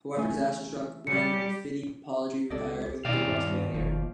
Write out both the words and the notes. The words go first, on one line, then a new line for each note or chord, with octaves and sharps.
However disaster struck when Fittipaldi retired with gearbox failure.
E3 A3 G#5
C#3 G3 G4 C#7
C#2 A4 D5 D#5
D#2 B2 E4 D5 D#5 F5 G5
G2
F#1 B2 D#3 F3